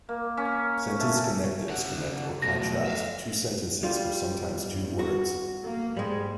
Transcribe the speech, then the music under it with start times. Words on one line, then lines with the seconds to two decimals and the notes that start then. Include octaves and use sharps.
Sentence connectives connect or contrast two sentences or sometimes two words.
0.09 A#3
0.37 C#4
1.00 A3
1.69 C#3 F#5
2.42 B2 F3 F#3 A3 A#6
2.86 E5 F5
3.83 G3 F4
4.64 G2
4.99 F#4
5.64 A#3
5.97 G#2 G3 G#3